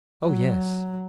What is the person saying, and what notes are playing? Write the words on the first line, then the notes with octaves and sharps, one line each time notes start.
"Oh, yes."
F#3